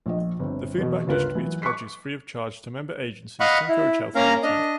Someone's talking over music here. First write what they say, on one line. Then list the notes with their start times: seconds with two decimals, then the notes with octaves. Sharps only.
The foodbank distributes produce free of charge to member agencies to encourage healthy eating.
0.06 A#1 F3 D#5
0.40 G1 C4
0.78 E2 B2
1.07 G1 C#2 F4 A#4 B4 F#6
1.35 E3 F#3
1.62 C#6 D6 F#6 B6 C7
3.40 D#5 F5 F#5 B5 C#6
3.69 E4
4.15 A#3 C#4 A#4 F5 A#5
4.43 D4 D#5